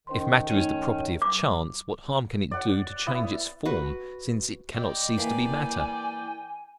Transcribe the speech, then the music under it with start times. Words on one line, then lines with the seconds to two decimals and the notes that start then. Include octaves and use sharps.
If matter is the property of chance, what harm can it do to change its form since it can not cease to be matter?
0.07 D#3 C#4 C5 C6
0.50 A3 C#4 D#4
1.22 D6
2.51 D5 F#5
3.07 B3 E4
3.65 F#4 B4
4.76 D5 D#5 G5
5.18 E3 A#3 G#5